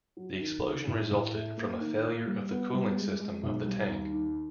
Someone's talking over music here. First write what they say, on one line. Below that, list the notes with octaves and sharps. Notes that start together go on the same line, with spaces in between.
The explosion resulted from a failure of the cooling system of the tank.
F#3
D#3
D#3
A2
A2
A3
A#3
D#3
A#3
G3
B3
G3
G#3
G#3
B1
G3
D#2
D#3